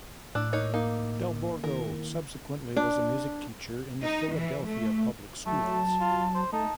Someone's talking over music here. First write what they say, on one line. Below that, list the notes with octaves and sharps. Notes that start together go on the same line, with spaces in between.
Del Borgo subsequently was a music teacher in the Philadelphia public schools.
A2 D4 D6 E6 F#6
A#3 D#4 C#5
A#3 D#4
D#3 E4 A#4
D4
D#4
E3
A3
F#3 A3 A5
F4
C5
A3 D#4 A5